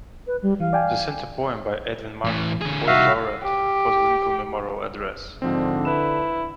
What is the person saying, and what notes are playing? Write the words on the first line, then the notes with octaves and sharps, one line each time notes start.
The center poem by Edwin Markham, poet Laureate for the Lincoln Memorial address.
B4
G3
E3 F5
D5 G5 G#5
A2 E3
D3 G#4
C2 D#4 F#4 E5 F5
G4
G#2 D3 F3 C4
E4 B4 E7